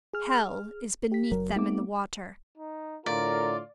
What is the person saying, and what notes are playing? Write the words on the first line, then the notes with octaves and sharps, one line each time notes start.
Hell is beneath them in the water!
G#4 F6
G4 B6
F#1 F#3 A#4
A3 B3 C4 D#4 D6
D#4
A2 D3 F4 A#4 D5